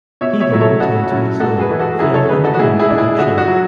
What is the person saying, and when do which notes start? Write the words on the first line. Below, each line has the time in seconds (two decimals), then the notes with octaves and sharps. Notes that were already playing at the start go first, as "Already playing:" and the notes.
He then returned to his law firm and academic production.
0.21 B2 C#5 E5
0.40 C#5 E5
0.50 F#3 A3 E4
0.61 A4 C#5
0.80 C#3 F#4 A4
1.11 F#3 C#4 E4
1.40 G#2 F#4 A4
1.59 G#4 B4
1.69 E3 A3 E4
1.79 F#4 A4
1.99 F#2 E4 G#4
2.14 A4 C#5
2.29 C#3 G#3 G#4 B4
2.44 F#4 A4
2.54 F#4
2.59 G#2 E4 G#4
2.79 E4 G#4
2.89 G#3 D4
2.98 E4 G#4
3.18 D3 F#4
3.38 F#4
3.48 F#3